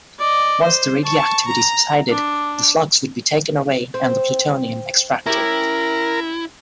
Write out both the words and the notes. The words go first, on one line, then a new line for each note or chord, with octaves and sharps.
Once the radioactivity subsided, the slugs would be taken away and the plutonium extracted.
D5 D#5
C5
A5 C#6
A#5
D4
C4
C#4 E4 G4 A#4